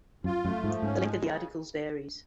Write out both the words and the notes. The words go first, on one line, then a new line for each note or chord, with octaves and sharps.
The length of the articles varies.
F#2 F4
F#2 A3
G#2 F3
G#2 C#4
G#3
C#3